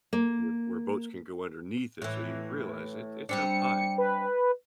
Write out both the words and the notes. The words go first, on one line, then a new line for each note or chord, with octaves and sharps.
where where boats can go underneath it, so you realize it it's up high.
A#3
A2 E3
G3 C4 D4 C#7
B4